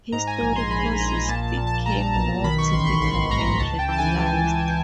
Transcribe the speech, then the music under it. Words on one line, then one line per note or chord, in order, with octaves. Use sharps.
History courses became more typical and regularized.
G#2 A#5
G#5
A#1
C6
A#1 B5
A#1 A#5
A#2 A5
A5
A#2
A5
A#2 A#5
B1 A5
D#3 B5
C#6
A1 C6
C#6
G#2 C6
G#2 A#5
C#2 A5
G5
E3 A5
G#5
C#2
E3